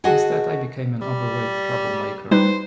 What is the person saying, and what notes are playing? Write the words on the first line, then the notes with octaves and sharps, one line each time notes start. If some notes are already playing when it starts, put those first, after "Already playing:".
Instead, I became an overweight troublemaker.
F#4 G#4 A4 D#5 F#5 G#5
G3
G3 D#4 B4 C5